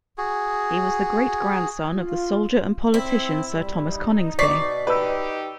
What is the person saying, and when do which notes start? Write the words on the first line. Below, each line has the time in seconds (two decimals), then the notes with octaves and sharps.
He was the great-grandson of the soldier and politician Sir Thomas Coningsby.
0.18 F#4 G#4
1.93 F4
2.94 C4 E4
3.54 G3
3.93 D#4
4.39 B2 D5 C#6 B6 C7
4.87 D#4 G4 B4 E6